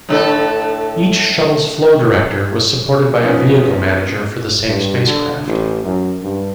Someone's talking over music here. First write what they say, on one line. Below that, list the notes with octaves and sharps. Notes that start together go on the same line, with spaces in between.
Each shuttle's Flow Director was supported by a Vehicle Manager for the same spacecraft.
A2 D3 A4
F3 B3 C#4 D#4 F4
G2
D3
A1
F#2
G2